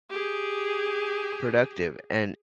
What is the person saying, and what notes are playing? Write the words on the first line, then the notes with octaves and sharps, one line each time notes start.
productive and
G4 G#4